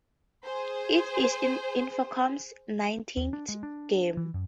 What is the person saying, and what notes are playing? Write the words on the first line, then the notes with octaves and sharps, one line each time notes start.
It is Infocom's nineteenth game.
G#4 C5
D#2
D4
G#3
D4
E3
F#2